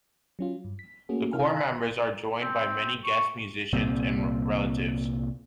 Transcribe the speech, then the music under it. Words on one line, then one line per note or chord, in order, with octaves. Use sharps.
The core members are joined by many guest musicians and relatives.
F#3 C#4 F4
G2
B6
A3 A#3 C#4 F#4 G#4
C3 C#4 E4 A#4 F6
F5 G#5 A#5 E6 F#6
C4
C#6
C2 A#2 G3 C4